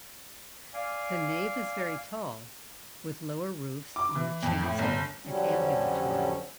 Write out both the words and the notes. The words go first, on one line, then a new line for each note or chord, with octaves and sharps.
The nave is very tall with lower roofs on the chancel and ambulatory.
D5 F5 G#5
D6
E3
F2
A2
G1
F2 D3 F#3 G3 C#4